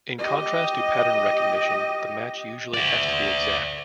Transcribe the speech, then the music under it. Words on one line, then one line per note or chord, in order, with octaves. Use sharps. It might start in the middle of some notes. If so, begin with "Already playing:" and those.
In contrast to pattern recognition, the match usually has to be exact.
G4 D#5
D5 E5